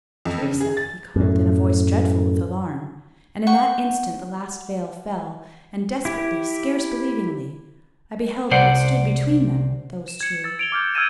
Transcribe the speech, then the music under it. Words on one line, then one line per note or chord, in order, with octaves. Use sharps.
"Theresa!" he called, in a voice dreadful with alarm--and in that instant the last veil fell, and desperately, scarce believingly, I beheld how it stood between them, those two.
F2
C#3
G#4
A6
F#2 A2
F#5 G5 C#6
E4 G4
C2 C3 C5 D5 F#5
E7
G#6 C#7
E6 A6
D7 F7 G7
D6 F6 G6 D7
E6 F6 G#6 A6 D#7 E7